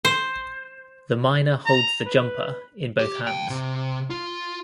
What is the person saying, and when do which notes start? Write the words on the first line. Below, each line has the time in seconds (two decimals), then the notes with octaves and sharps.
The miner holds the jumper in both hands.
0.05 C5
1.66 A#5
2.06 B4
3.00 G4
3.27 F5 G5
3.49 C3
4.10 F4